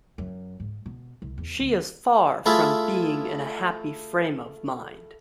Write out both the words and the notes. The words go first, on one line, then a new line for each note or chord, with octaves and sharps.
She is far from being in a happy frame of mind.
F#2
G#2
B2
C2
E2
D2
A3 E4 F4 G#4 A4 E5